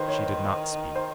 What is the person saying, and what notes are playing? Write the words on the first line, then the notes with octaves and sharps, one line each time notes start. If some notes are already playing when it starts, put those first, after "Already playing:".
She did not speak.
Already playing: D#3 B4 C5
C#5
C5